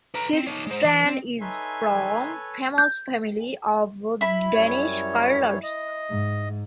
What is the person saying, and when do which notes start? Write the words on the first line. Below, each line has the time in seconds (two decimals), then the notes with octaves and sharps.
Kirsten is from famous family of Danish curlers.
0.15 B4 A#5
0.33 C4
0.47 D#4 C#5
0.67 G#3 C5
0.85 E3
1.05 C4
1.41 D#4 A4 B4 C#5 E5 G#5 C6
2.78 G6
4.21 E4 B5
4.54 F#2 G3 C#5
5.63 D#5
6.10 G#2